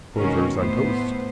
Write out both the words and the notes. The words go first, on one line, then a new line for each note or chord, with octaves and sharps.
Plovers on toast.
B2 D#3 G#3 C#4 F#4 A#4
A2 A3 B3 C5